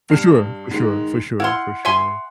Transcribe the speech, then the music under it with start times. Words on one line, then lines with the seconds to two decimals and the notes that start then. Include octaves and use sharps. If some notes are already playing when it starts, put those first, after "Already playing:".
For sure, for sure, for sure, for sure.
0.10 G2 F6 C7
0.71 G#2 D#3 G#3
1.40 E4 F#5 C6 F6 C#7
1.85 E5 G#5 C6